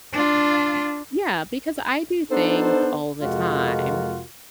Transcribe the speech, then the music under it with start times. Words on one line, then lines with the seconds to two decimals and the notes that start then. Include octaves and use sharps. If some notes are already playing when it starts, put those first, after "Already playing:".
Yeah, because I do things all the time
0.13 D4 F4
2.31 B3 D4 D#4 A4 C5
3.22 F2 C3 G#3 F4 F#4 A#4